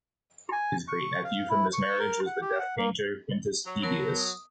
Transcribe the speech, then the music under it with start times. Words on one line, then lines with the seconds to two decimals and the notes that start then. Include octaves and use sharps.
His great-nephew from this marriage was the deaf painter Quintus Pedius.
0.52 G#5
0.88 C#6
1.24 F5
1.49 E4
1.73 C#6
1.99 A#4
2.26 F#5
2.42 G4
2.59 F#5
2.77 A#3
3.66 F#3
3.82 F#3 B3 A#4 A5
4.18 D#6